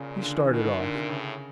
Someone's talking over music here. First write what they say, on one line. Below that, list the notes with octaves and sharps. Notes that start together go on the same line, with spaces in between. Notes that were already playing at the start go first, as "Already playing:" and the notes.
He started off.
Already playing: A#2 C#3
C#3
D3
E3
B2 D#3
D#3
A#2 D3
C3
A2 C#3